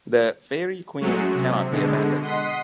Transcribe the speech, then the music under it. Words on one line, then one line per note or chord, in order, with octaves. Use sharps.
The "Faerie Queene" cannot be abandoned.
F#3 G#3 A3 C#4 F#4
C3
B2 D3 G#3
D#5 F#5 C6 D#6 B6 C7